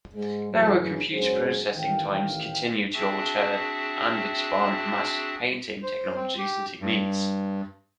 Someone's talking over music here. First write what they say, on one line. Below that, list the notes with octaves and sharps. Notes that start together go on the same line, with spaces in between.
Lower computer processing times continue to alter and expand matte painting technologies and techniques.
G#2 G#3
F#2 A2 C#3 E3 F#3
F#1 G#2 F#3 C#4 G#4 C5
A1 D#3 F5 G5
C4 D4 F#4 G#4 E5 A5
C5
C4
G4
G2